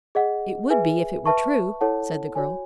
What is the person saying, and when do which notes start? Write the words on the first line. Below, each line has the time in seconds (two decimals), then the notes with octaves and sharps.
"It would be, if it were true," said the girl.
0.15 G#4 D#5 F#5
0.70 G#4 B4 E5 G#5
1.26 B4 E5 A5 C#6
1.81 E4 A4 C#5 F#5 A5
2.35 F#4 C#5 G#5